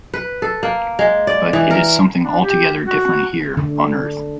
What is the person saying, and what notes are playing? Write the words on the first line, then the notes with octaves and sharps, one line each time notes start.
But it is something altogether different here on earth...
B4
A4
A#3
G#3
D5
E3
A#4
D4
G4
F#4
D3